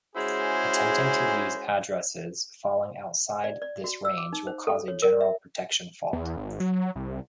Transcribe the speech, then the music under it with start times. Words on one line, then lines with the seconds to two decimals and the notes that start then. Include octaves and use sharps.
Attempting to use addresses falling outside this range will cause a general protection fault.
0.15 G#3 C#4 E4 F#4 G#4 C5
3.44 D5
3.62 D5
3.84 F#4
4.05 E6
4.17 D6
4.33 D#4
4.47 C5
4.67 A4
4.88 C#5
5.02 A#4
5.21 E5
6.13 E2
6.37 G#1
6.60 F#3
6.95 C2